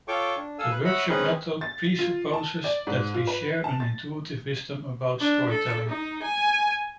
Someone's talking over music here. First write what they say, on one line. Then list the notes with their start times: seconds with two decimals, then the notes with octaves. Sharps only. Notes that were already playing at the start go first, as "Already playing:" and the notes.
The workshop method presupposes that we share an intuitive wisdom about storytelling.
0.08 F4 A4 C#5 G5 C#6 D6
0.36 D4
0.59 D#2 A4 F5 G#5 E6
0.71 B4
0.85 C#5 D#5 E5 F#5 B5
1.09 G#3 C4 C#4 D#4 G#4 B4
1.61 A6
1.99 F4
2.33 A5
2.64 D5
2.87 G#2
3.14 F4
3.27 B4
3.64 A5
3.80 A6
5.19 D4
5.50 A4
5.88 D#4
6.22 G#5